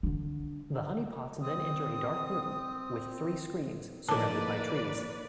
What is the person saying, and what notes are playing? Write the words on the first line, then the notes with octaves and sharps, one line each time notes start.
The honey pots then enter a dark room with three screens surrounded by trees.
D3 D4
C4 D#6
A#1 A2 D#3 A#3 B4 D5 A5 D6